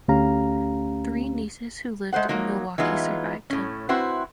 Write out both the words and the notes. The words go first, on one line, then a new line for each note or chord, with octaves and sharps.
Three nieces who lived in Milwaukee survived him.
D2 A3 C#4 G4 F5 A#5
G#3 A3 C5 F#5
F3 F#3 A#3 D#4
E3 F#3 G#3 B3 D#4 F4
A2 C#4
C4 E4 F#4 B4 C5